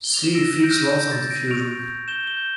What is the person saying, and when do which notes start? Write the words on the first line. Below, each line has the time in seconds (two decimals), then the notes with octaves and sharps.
See Fick's laws of diffusion.
0.04 G7
0.14 F7
0.24 E7
0.34 E6 A#6 D7
0.64 G6 A#6 D7
0.93 G6
1.11 A6
1.22 G6
1.30 A#6 D7
1.51 C#6 D7 F7
1.79 G6
2.08 G6 E7 G7
2.27 E7 G7
2.37 G6